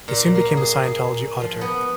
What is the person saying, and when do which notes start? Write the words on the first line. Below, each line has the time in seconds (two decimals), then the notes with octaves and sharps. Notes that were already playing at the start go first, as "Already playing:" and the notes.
He soon became a Scientology auditor.
0.08 A#2
0.35 A#3
0.57 G#4
0.84 G#4
1.41 F3
1.61 B3